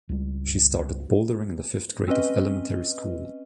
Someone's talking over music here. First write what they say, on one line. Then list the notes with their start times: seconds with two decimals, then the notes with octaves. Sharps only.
She started bouldering in the fifth grade of elementary school.
0.09 C#2 G3
2.08 C4 C#4 B4 D#5